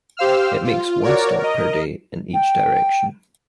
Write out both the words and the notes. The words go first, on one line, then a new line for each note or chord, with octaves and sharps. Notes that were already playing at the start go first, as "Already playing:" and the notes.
It makes one stop per day in each direction.
G4 C5 F5 E6 F6
F4
F#4 A#4 C#5 D5
A#4 D#5
G5